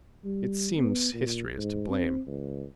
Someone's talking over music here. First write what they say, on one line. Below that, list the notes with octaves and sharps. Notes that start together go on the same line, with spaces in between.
It seems history is to blame.
G3
B3
A#2
G#2
C4
C#2